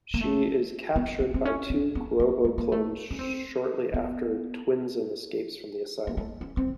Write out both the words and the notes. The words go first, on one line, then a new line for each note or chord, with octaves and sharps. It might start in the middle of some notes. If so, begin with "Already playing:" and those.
She is captured by two Grobo clones shortly after Twinsen escapes from the asylum.
A#3
A3
B3
B3
C4
C#4
C4
B3
A#3
A3
A#3
A3
C#4
C4
B3
A#3
A3
C#4
C4